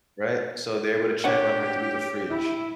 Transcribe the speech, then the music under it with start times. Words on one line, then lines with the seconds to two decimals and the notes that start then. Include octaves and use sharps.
right? So, they're able to check on her through the fridge
1.24 D4 G4 C#5 F#5
2.30 E4